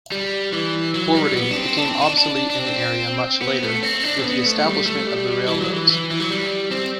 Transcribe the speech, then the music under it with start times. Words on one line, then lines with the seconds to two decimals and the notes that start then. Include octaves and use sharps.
Forwarding became obsolete in the area much later, with the establishment of the railroads.
0.12 G3
0.53 E3
0.95 F#3
1.15 G3
1.36 B3
1.51 D4
1.57 C4
1.77 D4
1.89 C4
2.02 D4
2.18 D4
2.50 D4
2.59 C4
3.42 B3
3.63 A3
3.83 C4
4.04 D4
4.19 C4
4.24 B3
4.45 A3
4.65 G3
4.87 A3
5.07 G3
5.48 E3
5.61 F#3
5.72 E3
5.89 E3
6.11 E3
6.20 F#3
6.30 G3
6.71 C4